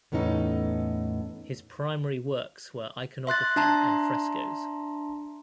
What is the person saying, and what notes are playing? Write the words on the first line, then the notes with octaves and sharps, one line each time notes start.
His primary works were iconography and frescos.
E2 A2 B3 C#4 D#4 A4
E5 C6 F#6 A6
D4 E5 A5 A#5 C6